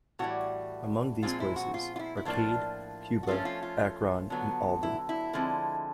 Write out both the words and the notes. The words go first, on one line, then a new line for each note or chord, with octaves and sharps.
Among these places: Arcade, Cuba, Akron, and Alden.
A2 E3 G3 F#4
A#2 F3 G#3 C4 F4
E4
F#4
F4
F4
E4
E4
A2 F3 A#3 D4 F4
F#4
F3 A3 C#4 F4
F4
F4
D3 F#3 B3
E4
E4
D3 F3 G#3 C4